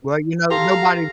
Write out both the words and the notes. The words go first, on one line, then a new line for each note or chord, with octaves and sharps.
Well, you know, nobody
G4 A4 F5 A#5 C6